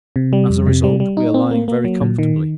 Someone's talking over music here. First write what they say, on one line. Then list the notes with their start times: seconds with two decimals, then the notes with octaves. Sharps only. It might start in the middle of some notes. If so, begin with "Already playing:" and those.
As a result we are lying very comfortably.
0.16 C3
0.33 G3
0.50 F2
0.67 C3
0.84 G3
1.00 G3
1.17 D#4
1.34 C4
1.51 A#3
1.68 A#3
1.85 F#3
2.01 A#2
2.19 D#3